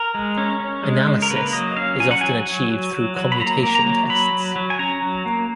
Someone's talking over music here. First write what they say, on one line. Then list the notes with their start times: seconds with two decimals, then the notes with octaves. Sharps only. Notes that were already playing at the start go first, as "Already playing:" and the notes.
Analysis is often achieved through commutation tests.
Already playing: A#4
0.14 G#3
0.38 C#4
0.60 C#4
0.84 G#3
1.07 C#3
1.22 A#4
1.30 A#3 B4
1.53 F#3 D#5
1.77 C#4 F5
2.00 F#3 G#5
2.11 F#5
2.21 F#3 G#5
2.46 F#3
2.69 F#3
2.93 F#3
3.17 F#3
3.32 B5
3.40 A#3 A#5
3.63 A#3
3.75 A#5
3.87 F#3
4.09 F#3 B5
4.33 F#3
4.56 F#3
4.70 G#5
4.79 C#4 A#5
5.02 F#3
5.26 A#3